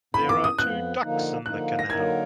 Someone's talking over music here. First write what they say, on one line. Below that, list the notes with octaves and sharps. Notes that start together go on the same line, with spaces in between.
There are two ducks in the canal.
F2 F3 B3 B5
D6
D#6
F2 F3 B3 F#6
D3 F3 A#3 D#4
D3 F3 A#3 D#4 F#6
A#6
D3 F#3 A#3 D#4 A#4 G#6